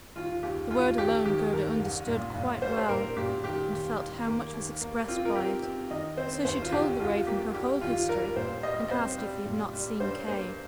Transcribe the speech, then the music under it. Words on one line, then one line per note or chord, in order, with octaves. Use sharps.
The word "alone" Gerda understood quite well, and felt how much was expressed by it; so she told the Raven her whole history, and asked if he had not seen Kay.
D#2 F4
D#2 G4
D#2 F4
D#2 G4
D#3 G4
D#2 A#4
C2
A#2
A#2
G3 C5
C5
A#2 A#4
A#2 G4
D#3 G4
D#2
D#3
A#3
D#2
A#3
C4 F4
A#4
C4 G4
C4
D#3 D#5
C4 C5
D#2 C5
F4
C2 G4
C2 F4
A#3 G4
G3 G4
D#2 F4
G3 A#4
A#2 C5
G3 D#5
C4 C5
G3
A#2
G3
G2 C5
A#3 C5